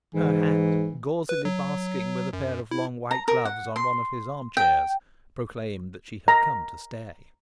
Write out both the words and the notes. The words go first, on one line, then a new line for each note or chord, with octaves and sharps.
Her hat, gauzily basking with a pair of long white gloves on one of his arm-chairs, proclaimed that she had come to stay.
G#2 E3
B4
F#3
F#2
E4
A#5
A#4
F#5
C6
G5
A#5